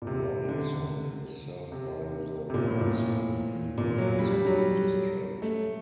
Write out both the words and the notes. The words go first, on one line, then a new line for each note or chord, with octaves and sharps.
Robinson is served by the Robinson Independent School District.
A#2
C3
D3
C3
C3
A#2
A2
A#2
A#2
F#3
G3
G3
F#3
A3